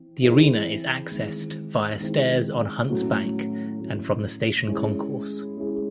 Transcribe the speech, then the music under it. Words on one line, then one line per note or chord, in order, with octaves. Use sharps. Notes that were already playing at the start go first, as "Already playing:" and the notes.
The Arena is accessed via stairs on Hunts Bank and from the station concourse.
Already playing: E3 C4
E3 C4 E4 G#4
D#3 G#3 C4 E4
D#3 G#3 C4 E4
A2 F#3 A3 C#4 F#4
A2 F#3 A3 C#4 F#4
G#3 C#4 E4 G#4
G#3 C#4 E4 G#4